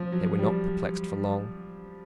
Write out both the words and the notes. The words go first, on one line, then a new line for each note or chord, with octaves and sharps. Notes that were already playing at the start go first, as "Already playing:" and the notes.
They were not perplexed for long.
Already playing: F3
F#3
G3